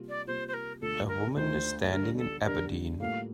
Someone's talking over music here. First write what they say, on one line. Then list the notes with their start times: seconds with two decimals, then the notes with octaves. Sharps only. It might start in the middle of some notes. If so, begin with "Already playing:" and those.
A woman is standing in Aberdeen.
Already playing: C3 G3 A#3 F4
0.09 D5
0.27 C3 G3 A#3 F4 C5
0.48 C5
0.54 A#4
0.81 D2 D3 A3 D4 F4 A4
1.08 A#4
1.36 D2 D3 A3 D4 F4 C5
1.90 D3 G3 D4 A#4
2.17 A4
2.45 D3 G3 D4 A#4
3.00 A2 G3 A#3 F4 A4 F5